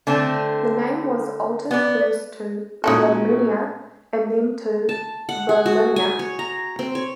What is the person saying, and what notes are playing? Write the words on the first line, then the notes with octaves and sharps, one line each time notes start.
The name was altered first to "Volenia" and then to "Volinia".
D3 A3 C4
B3 D5
A#2 C#4 D#4 E4 F#4 A4
A5
F#5
G#4
F#4
G#5
C#5
A#5
C4
C#5